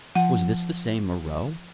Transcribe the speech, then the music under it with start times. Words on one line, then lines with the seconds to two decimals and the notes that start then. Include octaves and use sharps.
Was this the same Moreau?
0.15 F3 F#5